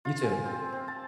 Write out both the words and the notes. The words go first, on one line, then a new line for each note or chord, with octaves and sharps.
You too.
F4
G#5
C4
C4
A5